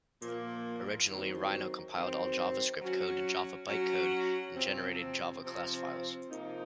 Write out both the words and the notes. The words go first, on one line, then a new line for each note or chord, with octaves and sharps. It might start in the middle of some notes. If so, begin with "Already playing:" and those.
Originally, Rhino compiled all JavaScript code to Java bytecode in generated Java class files.
A#2 F3 A#3
D#3 F#3 C4
D#3 F#3 C4
F#3 C#4 F#4
F#3 C#4 F#4
C3 F3 C4
C3 F3 C4
C3 F3 A#3 D#4